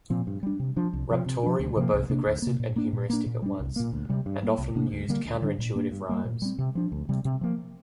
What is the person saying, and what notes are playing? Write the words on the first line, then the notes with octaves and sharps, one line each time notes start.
Raptori were both aggressive and humoristic at once, and often used counter-intuitive rhymes.
A#2 F3 C4
G2
G3 D4
C3
F3 D4
C2
C3 F3
C3
F3 D4
D2
C3 F3 A#3
C2
C3 A#3 D4
D2
C3 A#3
A#2
A#3 D4
A#2
A#3 D4
A#2
G3 D4
C2
A#2 A#3
D2
C3 G3
G2
G3 A#3
C2
C3 A#3 D4
D2
D3 G3 A#3
D2
D3 G3 D4
A#2
A#3 D4
G2
G3 A#3
A#2
G3 C4
C3
F3 D4
D2
C3 G3
C3
F3 A#3